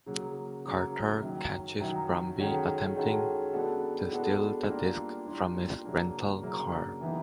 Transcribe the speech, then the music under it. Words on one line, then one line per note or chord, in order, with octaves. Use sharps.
Carter catches Brumby attempting to steal the disk from his rental car.
C#3 F#3 A#3
C#3 F#3 A#3
F#2 D#3 F#3
F#2 D#3 F#3
D#3 G#3 C#4 F#4 A4
D#3 G#3 C#4 F#4 A4
G#3 B3 D4 F#4 A4
G#3 B3 D4 F#4 A4
G3 A#3 D4 F4
G3 A#3 D4 F4
F#2 C#3 F#3 A#3 D4
F#2 C#3 F#3 A#3 D4
E3 G3 B3 D#4